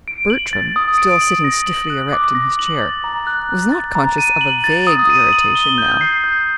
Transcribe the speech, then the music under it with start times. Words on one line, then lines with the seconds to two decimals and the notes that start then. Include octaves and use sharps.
Bertram, still sitting stiffly erect in his chair, was not conscious of a vague irritation now.
0.08 D7
0.30 F#7
0.53 A6
0.76 D#6
0.98 D7
1.21 F#7
1.44 A#6
1.67 F#7
1.90 F#6
2.13 D6
2.35 A#6
2.59 F#7
2.81 A6
3.04 A#5
3.27 F#6
3.49 A#5
3.72 A6
3.95 A#5
4.18 D#7
4.41 F#7
4.64 A6
4.87 D#6
5.10 D#7
5.33 F#7
5.55 G7
5.78 G6
6.01 C7
6.24 G6